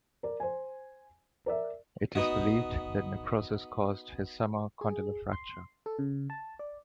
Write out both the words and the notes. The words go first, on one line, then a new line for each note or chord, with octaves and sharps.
It is believed the necrosis caused his summer condylar fracture.
A#4 D5
C5 G#5
A#4 D5 E5
B3 D#4 F#4
G#4
C6
A4
C#3
A5
D5